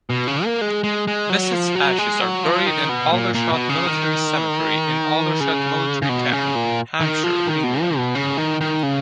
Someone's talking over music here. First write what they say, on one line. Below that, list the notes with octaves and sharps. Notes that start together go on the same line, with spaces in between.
Bissett's ashes are buried in Aldershot Military Cemetery in Aldershot Military Town, Hampshire, England.
B2
C#3
A#3
G#3
G#3
G#3
F#3
F3
F#3
G#3
F#3
F3
D#3
B2
A#2
A#2
B2
C#3
D#3
C#3
C#3
B2
C#3
A#2
D#3
F3
D#3
B2
F3
B2
C#3
D#3
D#3
C#3